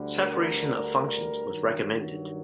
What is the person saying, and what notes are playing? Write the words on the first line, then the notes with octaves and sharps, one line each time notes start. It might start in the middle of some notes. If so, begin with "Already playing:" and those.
Separation of functions was recommended.
Already playing: D2 D3 G3
A#4
G2 D#3 F#3